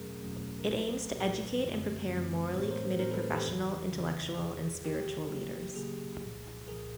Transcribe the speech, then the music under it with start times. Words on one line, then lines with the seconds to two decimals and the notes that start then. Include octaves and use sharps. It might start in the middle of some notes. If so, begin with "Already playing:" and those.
It aims to educate and prepare morally committed professional, intellectual, and spiritual leaders.
Already playing: E2 B2 F#3 A3 C#4 G#4 A#4
0.23 E2 B2 F#3 A3 C#4
0.60 A#4
0.69 C2 A#2 F#3 A4 B4
1.16 C2 A#2 F#3
1.61 F#2 D3 F3 A3 C4
2.07 F#2 D3 F3 A3 C4
2.54 A2 E3 G#3 B3 D4 C5
2.62 C#5
2.71 A#4 C5
2.99 A2 E3 G#3 B3 D4 A#4 C5
3.11 A4 B4
3.35 G4 A4
3.46 E2 C#3 E3
3.92 E2 C#3 E3
4.38 E2 C3 F3 G#4
4.84 E2 C3 F3 G4
5.30 C#3 F#3 A#3
5.76 C#3 F#3 A#3 G#4
6.22 C2 A#2 F3
6.68 C2 A#2 F3 G#4 A#4